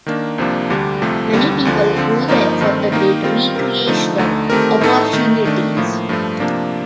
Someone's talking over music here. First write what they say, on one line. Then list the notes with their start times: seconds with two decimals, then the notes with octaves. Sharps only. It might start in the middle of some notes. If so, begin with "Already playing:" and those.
Many people go there for the great recreational opportunities.
0.06 D#3 A#3 D4
0.38 C2 C3 F3 A#3 D4
0.70 D2 D3 G3 D4 G4
1.02 C2 C3 F3 A3
1.33 D#2 D3 G3
1.65 D2 D3 F3
1.96 D3 F3 C4
2.28 G2 F3 A#3 D#4
2.61 G2 D#3 A3 C4
2.92 D#3 A#3 D#4 A#4
3.23 D#3 G3 C4 F4 A#4
3.55 C3 G3 C4 F4 A#4
3.87 D3 F3 A3 D#4
4.18 D2 D3 A3 D#4
4.50 D#3 A3 C4 G4 A#4
4.81 A2 A3 D#4 A4
5.13 D#3 A3 D#4
5.45 D#3 A3 D4
5.77 A2 F3 A#3
6.09 G2 F3 A3
6.40 C3 F3 A#3 D4